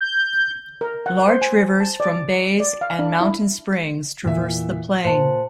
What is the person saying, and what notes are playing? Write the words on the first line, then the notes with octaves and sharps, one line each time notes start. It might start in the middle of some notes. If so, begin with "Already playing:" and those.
Large rivers from bays and mountain springs traverse the plain.
G6
A#4
F#5
C5
G#5
A5
D5
D5
F5
D4
E4
E2 A#2 E5
A#2 C5 A5